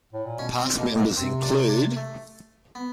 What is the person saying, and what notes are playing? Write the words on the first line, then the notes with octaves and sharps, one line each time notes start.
Past members include...
A2
A#2
B2 C#4
C4
B2 A#3
A#3
C3 C4
D4
D4
A3
B3